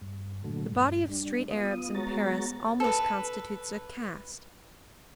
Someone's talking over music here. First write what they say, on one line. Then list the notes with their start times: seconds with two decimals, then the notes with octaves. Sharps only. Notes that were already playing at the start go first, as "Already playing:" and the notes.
The body of street Arabs in Paris almost constitutes a caste.
0.01 G2
0.44 A#2 D3 F#3 A3
0.72 G2
1.09 G3 D4
1.51 B3 F4 D#6
1.95 G#3 B3 F#4 C#5 A#5 A6
2.80 A4 B4